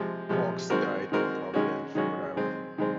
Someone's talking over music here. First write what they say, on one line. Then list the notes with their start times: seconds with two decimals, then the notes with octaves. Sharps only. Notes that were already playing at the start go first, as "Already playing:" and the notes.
Hawkes died in Providence, Rhode Island.
Already playing: C3 F3 G#3
0.29 C3 F3 G#3
0.70 D#3 G#3 C4 F#4 A#4
1.12 D#3 G#3 C4 F#4 A#4
1.54 D#3 G#3 C#4 F#4
1.95 D#3 G#3 C#4 F#4
2.36 D#3 G#3 C4
2.78 D#3 G#3 C4